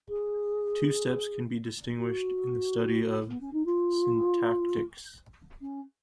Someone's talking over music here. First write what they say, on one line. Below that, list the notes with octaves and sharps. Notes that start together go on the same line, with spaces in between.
Two steps can be distinguished in the study of syntactics.
G#4
F#4
B3
C#4
D#4
F4
C#4